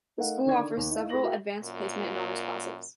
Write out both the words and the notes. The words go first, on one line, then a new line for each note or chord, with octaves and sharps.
The school offers several Advanced Placement and Honors classes.
A3 D#4 A#4 F5 F#5
D3 D#3 D5 C#6 G#6
D#2
D#4 E4 F5
A3 G#4 B5 C#6 A#6 F#7
F#4 A#4 E5 F5 G5
F#2 A#2